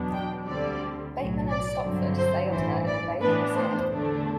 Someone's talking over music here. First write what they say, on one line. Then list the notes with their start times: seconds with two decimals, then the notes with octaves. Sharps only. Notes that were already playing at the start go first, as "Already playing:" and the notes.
Bateman and Stopford sailed her in the Bay of Biscay.
Already playing: E2 B2 F#3 B3 D4
0.12 G5
0.46 D2 D3 G3 C4 D5
1.14 B1 A2 F#3
1.49 D5
1.83 G2 D3 F#3 C4
2.17 C5
2.52 A1 G2 E3 C5
2.86 D5
3.20 A2 E3 B3 D4 B4
3.55 C5
3.90 E2 D3 A3 D4